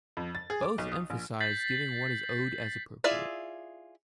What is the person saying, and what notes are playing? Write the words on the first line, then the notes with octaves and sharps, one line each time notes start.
Both emphasize giving what is owed as appropriate.
F2
A6
G#4
D6
B1
D#6
A#1
G6 A6 B6 C7 F#7
E4 F4 G#4 D5 E5